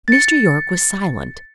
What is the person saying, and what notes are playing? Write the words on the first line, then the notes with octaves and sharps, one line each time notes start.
Mr. Yorke was silent.
A6 C#7